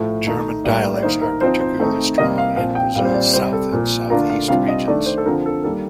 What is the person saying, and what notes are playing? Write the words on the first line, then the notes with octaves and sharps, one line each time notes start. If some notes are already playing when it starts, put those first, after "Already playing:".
German dialects are particularly strong in Brazil's South and Southeast Regions.
Already playing: A2 F3 A3
D#3 A3 D#4
A2 G3 A#3 D5
D5
D#3 A#3 D#4 C5
A#4
F3 C4 D#4 C5
C5
D#3 A3 C4 D#4
C3 G3 A#3 D#5
F5
A#2 F3 C4 F5
G5
A#2 G3 C4 F5
C5
D5
C3 G3 C4 C5
A4
A#2 F3 A#3
D3 A3 D4 F4 A#4
F5
C3 G3 D4 F4 F5
D#5
D#3 A3 D4 D5
C5
A4
D3 F3 C4 A#4
A4
D#3 G3 A#3 A4